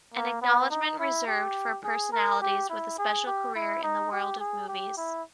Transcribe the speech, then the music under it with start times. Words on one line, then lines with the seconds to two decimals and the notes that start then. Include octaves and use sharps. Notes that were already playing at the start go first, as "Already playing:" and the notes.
An acknowledgement reserved for personalities with a special career in the world of movies.
0.14 A#3
0.42 B3
0.71 D#4
0.99 E4
1.28 G4
1.84 G#4
2.12 A#4
2.42 G4
2.70 E4
2.98 G#4
3.27 G4
3.55 E4
3.83 D#4
4.12 G4
4.40 G#4
4.68 G4
4.97 E4